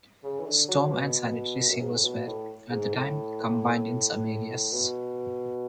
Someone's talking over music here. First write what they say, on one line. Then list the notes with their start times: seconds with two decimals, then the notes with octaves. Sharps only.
Storm and sanitary sewers were, at the time, combined in some areas.
0.24 C#3
0.40 E3
0.46 D3
0.68 F#3
0.92 B2
1.69 F#2
1.80 G#2
1.92 A2
2.03 B2
2.26 A2
2.70 G#2
2.93 A2
4.72 B2